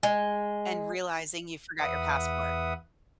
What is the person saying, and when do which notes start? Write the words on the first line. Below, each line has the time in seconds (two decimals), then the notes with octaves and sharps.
and realizing you forgot your passport."
0.03 G#3
1.79 E2 B4 E5 F#5 D#6